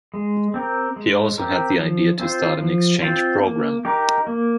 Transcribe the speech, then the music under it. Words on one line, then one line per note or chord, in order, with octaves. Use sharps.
He also had the idea to start an exchange program.
G#3
C4 G4 A#4
G#3
C4 G4 A#4
F3
C4 F4 C5
F3
C4 F4 C5
A#3
D#4 G4 A#4
A#3